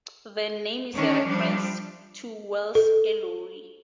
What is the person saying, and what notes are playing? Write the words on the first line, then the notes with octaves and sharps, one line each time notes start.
The name is a reference to Wells' Eloi.
D#3 C#4 D4
F3 G3 D4
A4